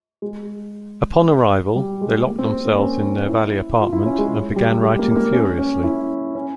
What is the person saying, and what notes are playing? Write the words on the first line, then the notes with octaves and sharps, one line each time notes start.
Upon arrival, they locked themselves in their Valley apartment and began writing furiously.
G#3
G3
G#3
A#3
C4
A#3
A#3
C#4
E4
F4
E4
C#4
G#3
G3
G#3
A#3
A#3
C#4
C#4
E4
C#4